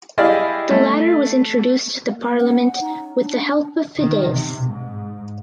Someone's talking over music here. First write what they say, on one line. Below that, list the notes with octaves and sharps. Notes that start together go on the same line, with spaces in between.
The latter was introduced to the Parliament with the help of Fidesz.
E4 G4 G#4 D5 D#5 F5
A3
A#3
C#4 F#5
D#4
D4
D#3
C3
G#2